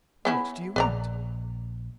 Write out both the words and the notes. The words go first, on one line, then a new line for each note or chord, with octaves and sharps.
"What do you want?"
B3 C#4 E4
A#1 B4 D5 A#5